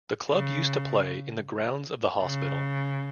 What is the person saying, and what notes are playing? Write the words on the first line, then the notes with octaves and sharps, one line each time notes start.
The club used to play in the grounds of the hospital.
C#3
C#3